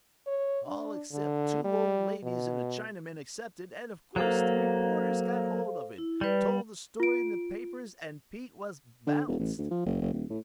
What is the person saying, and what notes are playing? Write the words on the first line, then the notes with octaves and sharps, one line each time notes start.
All except two old ladies and a Chinaman accepted and of course the reporters got hold of it, told the story in the papers and Pete was bounced.
C#5
D4
D3
G3
B2
F#3 A#3 A4 C5 F5
E4
G3 B4 D5
F4 D7
D3
E1
A1
D2
F3
F#1
F#1
D#1
A2